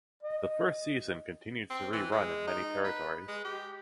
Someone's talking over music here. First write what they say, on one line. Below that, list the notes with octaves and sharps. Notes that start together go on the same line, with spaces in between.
The first season continues to re-run in many territories.
D#5
C4
E3
G#3
D#4
B4
G#3
G4